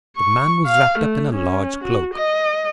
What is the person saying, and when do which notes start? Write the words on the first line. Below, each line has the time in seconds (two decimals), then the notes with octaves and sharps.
The man was wrapped up in a large cloak.
0.17 C#6
0.66 F5
0.99 A3
1.34 C#4
1.84 F#4
2.14 D#5